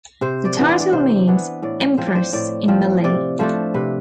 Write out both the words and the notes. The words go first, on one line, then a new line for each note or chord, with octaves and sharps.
The title means 'Empress' in Malay.
C3 C5
D5
E3 B3 D4
D5
D5
C3 C5
E3 B3 D4
A2 D5
F3 C4 C5
D5
C5
A2 D5
F3 C4
C3 D5
F3 A3 D4 C5
C3 B4